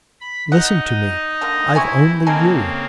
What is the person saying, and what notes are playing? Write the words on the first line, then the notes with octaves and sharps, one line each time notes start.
Listen to me, I've only you.'
B5
D#4 D#5 F#5
D3 D#3 A#3
C3 E4 G#5 C#6
C#3 A#3 C4 D#4 A4 G#5